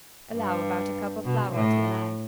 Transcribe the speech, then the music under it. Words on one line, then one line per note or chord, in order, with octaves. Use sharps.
Allow about a cup of flour to an egg.
G2
B2
A2